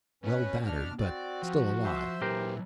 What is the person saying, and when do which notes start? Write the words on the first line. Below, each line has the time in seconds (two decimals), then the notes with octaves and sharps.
Well battered, but still alive.
0.24 B2 C#4 B4
0.66 D4 F6
0.99 C4 F#4 D5
1.43 F3
1.84 C5 E5
2.22 A#2 E3 F#3 G4 A#4 C5